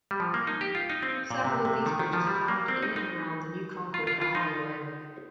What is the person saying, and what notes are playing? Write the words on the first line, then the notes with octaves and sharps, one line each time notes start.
Several of these bridges are found in and around the New Concord, Ohio area.
G3
F3
A#3
D#4
G4
F4
D#4
C4
A#2
C3
C3
D#3
D#3
F3
G3
A#3
C4
D#4
D#4
F4
F4
F4
D#4